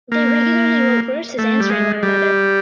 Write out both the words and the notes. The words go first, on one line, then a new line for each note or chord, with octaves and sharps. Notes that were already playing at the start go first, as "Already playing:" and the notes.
They regularly wrote verses answering one another.
A#3
A3
G3
G#3
G3